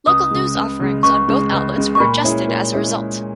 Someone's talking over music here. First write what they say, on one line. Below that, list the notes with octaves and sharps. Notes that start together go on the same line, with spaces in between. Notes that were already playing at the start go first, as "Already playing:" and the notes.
Local news offerings on both outlets were adjusted as a result.
C#2 D#6
C#3 G#3
C#2
C#3 G#3
C#2 C#6
C#3 G#3
C#2
C#3 G#3
C#6
A#2 B5
G#3 C#4 E4 G#4
A#2
G#3 C#4 E4 G#4